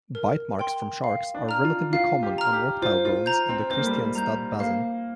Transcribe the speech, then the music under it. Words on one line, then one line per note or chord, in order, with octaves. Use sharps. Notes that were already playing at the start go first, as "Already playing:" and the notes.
Bite marks from sharks are relatively common on reptile bones in the Kristianstad Basin.
A#4
G5 C6
F5
D4
A#5 F6
F4
F4 F5
G4
A#5 F6
G4
F4 C5
F4
A#5 G6
C4
C4 C5
A#3
G3
A#3
G3 A#5 G6
A#3 F5